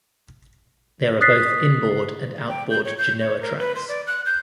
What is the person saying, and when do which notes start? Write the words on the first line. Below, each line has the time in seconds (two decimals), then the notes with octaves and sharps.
There are both inboard and outboard genoa tracks.
1.21 D#6 F#6 A6 B6 C7
2.49 G5
2.71 G6
2.85 C#5
2.98 G6
3.20 C#5
3.41 A#4
3.59 B4
3.76 C6
3.88 D5
4.07 F#6
4.26 G6